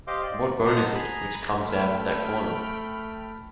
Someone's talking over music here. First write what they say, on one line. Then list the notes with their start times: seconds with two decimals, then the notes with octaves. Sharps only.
What road is it which comes out at that corner?
0.07 G4 C5 D#5 F5 C6 D6
0.23 D5
0.66 C5 D#5 F#5 A5 A#5
0.95 G#4 A#5 B5 D#6
1.59 A3 G5 B5 F6